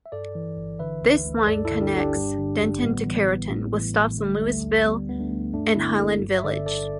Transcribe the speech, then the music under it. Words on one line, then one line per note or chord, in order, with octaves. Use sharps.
This line connects Denton to Carrollton, with stops in Lewisville and Highland Village.
E5
G2 A4 D5
E3
G1
D3 B4 E5
D2
D2
G2 A4 D5
E4 A4
D3
D4 G4
G1 D4 G4 A4
G2
D3
A1
A2 G3 B3
E3
A1
A2
E3
A1
D3 A3
G3
D2 A3
D2
D3 G3 B3
D2 B3
A3 D4
D2
G2 A3 D4
D3 B3 E4
G1 E4 A4
G2
E5
D3 A4 D5
G1 A4 D5